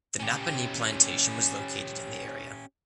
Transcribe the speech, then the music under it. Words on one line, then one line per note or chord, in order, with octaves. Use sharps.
The Napanee Plantation was located in the area.
C#4 G4